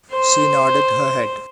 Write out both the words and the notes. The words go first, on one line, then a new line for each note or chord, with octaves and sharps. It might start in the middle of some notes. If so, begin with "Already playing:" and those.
She nodded her head.
C5